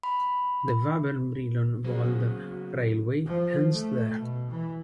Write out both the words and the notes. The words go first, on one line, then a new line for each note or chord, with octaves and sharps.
The Wabern–Brilon Wald railway ends there.
B5
C#3 F#3 A#3 B3 F#4 G#4 C5
F3
A3
B2
E3